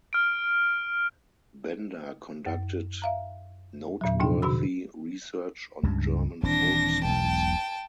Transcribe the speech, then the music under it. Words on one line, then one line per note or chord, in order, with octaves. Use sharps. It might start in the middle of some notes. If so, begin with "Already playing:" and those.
Bender conducted noteworthy research on German folk songs.
F6 D7
F#2
E5 F5 A#5
E2 A#2 D3 F#3
G#2 C3 F3 D4 D#4 G5
B2 D3 F#4 B5 E6
C#2 G2 C#3
D#1 E3 C4 D4 A#6
E1 B1 G5 A5